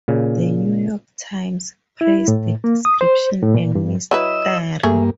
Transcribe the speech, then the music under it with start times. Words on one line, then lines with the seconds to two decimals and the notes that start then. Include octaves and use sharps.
"The New York Times" praised the description and mystery.
0.08 A#2 C#3
2.01 E4
2.28 A2
2.64 A#3
2.85 D#6
3.01 C5
3.43 A2
3.54 A#2
3.75 G2
4.11 F#3 E4 B4 D#5 E6
4.83 G2 A3 A#3 G#4